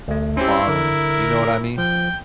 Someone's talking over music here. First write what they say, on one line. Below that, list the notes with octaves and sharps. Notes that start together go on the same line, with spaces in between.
balling, you know what I mean?
D2 A3
C4 C#4 E4 G4 C5
D3 A#4
F3 G5